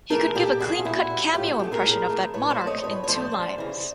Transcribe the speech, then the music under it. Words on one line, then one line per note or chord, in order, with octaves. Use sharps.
He could give a clean-cut cameo impression of that monarch in two lines.
E3 A3 G#4 A#4
A#2 G4 A4
G3 F#4 G#4
F4
A#2 E4 F#4
G3
A2 F4 G4
F#4 G#4
E3 A3 G4 A4
G#4 A#4
A2
E3 A3
A2 B4 C#5
C5 D5
F3 A3
C#5 D#5
A2 B4 C#5
C#5
F3 A3 C5 D5
F#2
C#3 E3